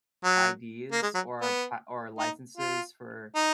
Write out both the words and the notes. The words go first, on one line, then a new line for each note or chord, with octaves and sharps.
IDs or pa or licenses for
F#3
A#3
G#3
F#3
B3
D#4
F4
D#4